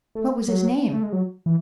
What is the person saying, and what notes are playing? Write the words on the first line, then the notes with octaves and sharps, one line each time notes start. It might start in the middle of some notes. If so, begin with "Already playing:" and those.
"What was his name?"
A3
F#3
A3
G#3
F#3
E3